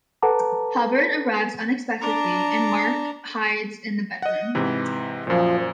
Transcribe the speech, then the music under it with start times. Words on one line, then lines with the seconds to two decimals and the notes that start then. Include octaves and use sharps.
Hubbard arrives unexpectedly, and Mark hides in the bedroom.
0.22 A4 B4 F#5 A5 A#5 D6
2.01 D4 A#5
4.22 D#5 F#5
4.55 G#2 C3 E3
5.27 F#2 A#2 F3